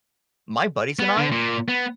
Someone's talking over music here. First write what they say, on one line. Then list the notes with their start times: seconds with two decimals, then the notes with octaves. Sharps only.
My buddies and I,
0.99 B3
1.17 D3
1.32 A#2
1.68 B3